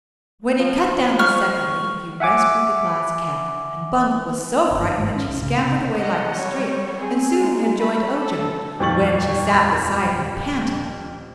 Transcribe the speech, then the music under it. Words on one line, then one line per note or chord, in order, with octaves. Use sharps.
When he cut down the second leaf he rescued the Glass Cat, and Bungle was so frightened that she scampered away like a streak and soon had joined Ojo, when she sat beside him panting and trembling.
F3
C#6 F6
E5 F#5 G#5 D6
G1
D#3
G#2
C#4
C2
C#3
C3
D#5 F#5
G3 C#5
C4 G#4
G#3 D#4
B5
A4
D#1 F2 G3 C#6 A6 F#7